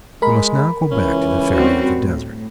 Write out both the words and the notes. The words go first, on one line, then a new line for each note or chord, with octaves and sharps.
We must now go back to the Fairy of the Desert.
G#3 A#4 B5
C#2 E3 C#4
G3 C4 F#4
A2